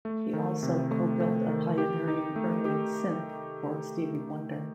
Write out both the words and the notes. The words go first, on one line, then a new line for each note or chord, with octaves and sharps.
He also co-built a pioneering early synth for Stevie Wonder.
A3
D#3
C3
A3
A3
D#3
G4
D#4
A3
G4